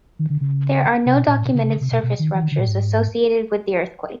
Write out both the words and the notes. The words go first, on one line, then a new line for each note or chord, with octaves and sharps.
There are no documented surface ruptures associated with the earthquake.
D#3
D3
C#3
C3
B2
A#2
A2
B2
C#3
C3
C#3
C3
B2
B2
D#3
E3
D#3
D3
A#2
G#2